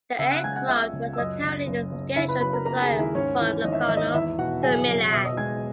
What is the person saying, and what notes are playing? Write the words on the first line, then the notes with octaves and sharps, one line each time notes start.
The aircraft was apparently scheduled to fly from Locarno to Milan.
C#3 E5 E6
F#5 F#6
G#3 G#5 G#6
F#5 F#6
C#2 E5 E6
C#2
E6
F#2 D#5 D#6
C#3
F#1
F#1
C#3 E4 E5
B4 B5
F#3 B4 B5
A#4 A#5
A#3 A#4 A#5
G#4 G#5
D#2
E4 E5
G#2 C#4 C#5
E3
G#1 D#5
E5
D#5
G#1 E5
D#4 D#5
E2 E4 E5
B2 F#4 F#5
F#1 G#4 G#5
F#1
B2 E5 E6
D#5 D#6
G#3 G#5 G#6